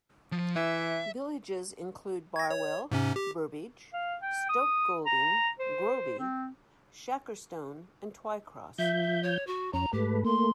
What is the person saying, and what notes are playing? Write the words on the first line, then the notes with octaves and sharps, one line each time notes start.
Villages include Barwell, Burbage, Stoke Golding, Groby, Shackerstone and Twycross.
F3
E3 E5
G#6 A#6
C#5
G#2 C3 C#4
G4
F5
G5
D#6
A#5
C5
C4
F3 E5 G6
C#5
F#4
F2 C#4 A#5
G#2 A3 G4 B4
A3 A#3 C6